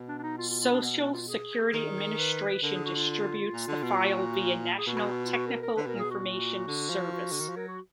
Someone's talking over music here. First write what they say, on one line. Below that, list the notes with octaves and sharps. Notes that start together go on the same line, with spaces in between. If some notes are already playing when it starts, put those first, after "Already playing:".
Social Security Administration distributes the file via National Technical Information Service.
Already playing: B2
D4
D4
D#4
F4
F4
F4
D4
B3
D4
F4
G#4
D#3
B4
D3 A#4
G#4
F#4
F4
A#2
D3
B2
A#2 F#4
G#4
B2 F#4
F#4
F4
F#4
A#4
A#4
D3 B4
B2 A#4
A#2
B2 G#4
F#4
A#2
D3
F3
F#4
D3
D#3
F3
F#3 A#4
F#4